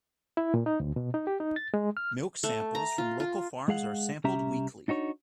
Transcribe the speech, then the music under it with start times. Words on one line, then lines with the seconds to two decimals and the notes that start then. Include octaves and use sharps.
Milk samples from local farms are sampled weekly.
0.37 E4
0.54 A#2
0.66 D#4
0.80 D2
0.96 B2
1.14 D#4
1.27 G4
1.40 D#4
1.56 A6
1.74 G#3
1.97 F6
2.44 A3
2.75 A#5
2.98 F4
3.20 F4
3.68 G#3 G#4 F5 F#5
4.24 C2 C#4 G4 E5 A#5
4.88 D4 D#4 F#4 C#5